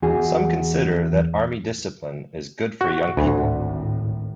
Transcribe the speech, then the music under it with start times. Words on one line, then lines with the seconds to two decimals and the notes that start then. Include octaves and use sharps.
Some consider that army discipline is good for young people.
0.02 E2 F#4 G#4
2.81 F#4
3.17 G#1 D2 A2